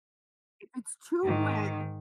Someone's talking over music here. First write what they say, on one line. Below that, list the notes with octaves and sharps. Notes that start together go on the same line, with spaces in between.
if it's too wet,
G#2 D#3